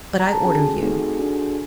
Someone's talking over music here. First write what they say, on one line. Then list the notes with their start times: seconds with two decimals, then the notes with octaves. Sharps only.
But I order you.
0.20 A#5
0.33 A5
0.45 C#4 F#4 G#4 A4 G#5
0.82 A3 C4 D#4 F#4 A4
1.19 D4 F#4 A4